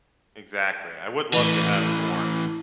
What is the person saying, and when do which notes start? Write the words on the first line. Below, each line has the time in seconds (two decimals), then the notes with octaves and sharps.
Exactly. I would love to have more
1.33 A2 E3